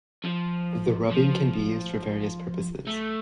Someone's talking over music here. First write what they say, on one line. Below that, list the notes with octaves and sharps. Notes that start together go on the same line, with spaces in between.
The rubbing can be used for various purposes.
F3
F3
A3